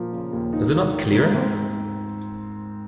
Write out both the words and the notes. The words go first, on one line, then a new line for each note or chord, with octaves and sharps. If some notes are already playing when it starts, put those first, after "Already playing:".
Is it not clear enough?
Already playing: A#2 F3 A#3
C#3
D#2
D#4
A#3
D#3
G#2
C4